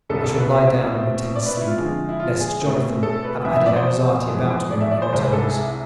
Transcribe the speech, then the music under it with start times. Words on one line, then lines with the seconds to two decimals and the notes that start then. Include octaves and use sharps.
I shall lie down and pretend to sleep, lest Jonathan have added anxiety about me when he returns.
0.09 C2 B2 B3 A4
0.24 A4
0.38 B4
0.52 E5
0.94 B2 A3 C4
1.35 D5
1.46 B4
1.57 E4
1.67 F4
1.78 F2 D3 G#3
2.09 E4
2.20 F4
2.40 G#4
2.61 B2 A3 C4
3.03 A4
3.24 B4
3.45 F2 E3 B3 E5
3.56 E5
3.66 D5
3.76 C5
4.29 F2 E3 G#3
4.71 D5
4.81 E5
4.91 D5
5.02 C5
5.12 C2 C3 G#3 C5
5.23 B4
5.33 A4
5.44 G#4
5.54 E4